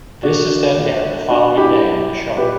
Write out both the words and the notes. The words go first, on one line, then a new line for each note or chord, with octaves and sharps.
This is then aired the following day on the show.
A#2 D4 F#4
A#2
B2 D4 F#4
E4 G4
B2
A#2 G4 B4